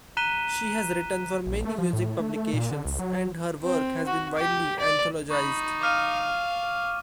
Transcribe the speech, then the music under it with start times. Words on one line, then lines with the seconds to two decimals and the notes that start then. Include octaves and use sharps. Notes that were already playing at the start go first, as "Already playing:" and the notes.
She has written for many music publications, and her work has been widely anthologized.
0.17 A#5 F#6 B6 D#7 E7 G7
1.47 A#1
1.65 A3
1.78 F3
1.93 A2
2.20 A3
2.36 A3
2.54 A#2
2.71 D3
2.85 C#2
2.99 F#3
3.63 C4
4.07 F#4
4.37 G4
4.80 D5
5.31 D#4 B5 C#6 A6
5.81 F5 D6 F6 D#7